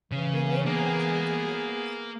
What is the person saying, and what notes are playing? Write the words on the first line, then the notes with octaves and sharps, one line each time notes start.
They laid in front of trains and vehicles.
C#3 E3
A#3 B3 G#4